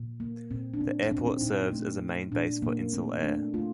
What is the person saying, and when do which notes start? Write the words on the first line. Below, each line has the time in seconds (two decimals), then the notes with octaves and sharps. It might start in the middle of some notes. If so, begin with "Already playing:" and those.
The airport serves as a main base for Insel Air.
Already playing: A#2
0.20 A#3
0.51 A#2 C4
0.74 D4
0.81 A#2 C4
1.06 D4
1.11 A#2 C4
1.26 C4
1.41 A#2 D#4
1.72 A3
2.02 A3
2.32 A#2 D4
2.62 A#2 A#3
2.93 A3 C4
3.23 A3 D4
3.54 A3 F4